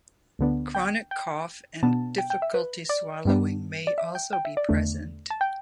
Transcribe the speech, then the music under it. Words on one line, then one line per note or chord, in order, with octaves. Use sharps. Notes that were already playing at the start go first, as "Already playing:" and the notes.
Chronic cough and difficulty swallowing may also be present.
D2 D3 B3 D4
G5
G5
B2 B3 D4 A5
G5
G5
E5
B4
D5
G2 G3 B3 D4
D5
E5
G5
G5
E5
D5
E2 D3 A3 D4
A5
G5